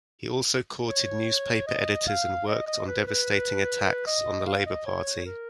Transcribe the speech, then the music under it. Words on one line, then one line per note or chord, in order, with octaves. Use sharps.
He also courted newspaper editors and worked on devastating attacks on the Labour Party.
C#5
D#5
F5
D#5
D#5
B4
B4
D#5
F5
D#5
C#5
A#4